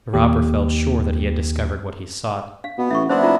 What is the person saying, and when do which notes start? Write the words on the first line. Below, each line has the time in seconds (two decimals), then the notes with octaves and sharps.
The robber felt sure that he had discovered what he sought.
0.14 D#2 G4
2.64 F5
2.78 B2 B3
2.91 A1 E5 C#6
3.09 F#1 B3 D4 E4 C5 E5 C6
3.22 D#4 F4 A#5